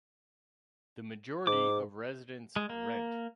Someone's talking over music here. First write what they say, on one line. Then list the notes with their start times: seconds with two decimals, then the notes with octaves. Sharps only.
The majority of residents rent.
1.47 G#2 D6
2.56 G#3
2.70 A#3